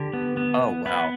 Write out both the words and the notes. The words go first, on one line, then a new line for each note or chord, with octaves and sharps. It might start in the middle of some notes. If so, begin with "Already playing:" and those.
Oh, wow.
Already playing: D3 G4
B3
B3
B3
B3 B4